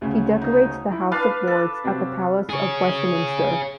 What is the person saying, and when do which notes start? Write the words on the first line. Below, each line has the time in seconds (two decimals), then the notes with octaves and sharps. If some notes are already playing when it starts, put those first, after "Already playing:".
He decorates the House of Lords at the Palace of Westminster.
0.01 D2 C#3
0.41 D#4
0.92 E4
1.12 D4 B4 F5 A5
1.47 A4
1.84 C3 F#3 C4
2.50 G#4 C#5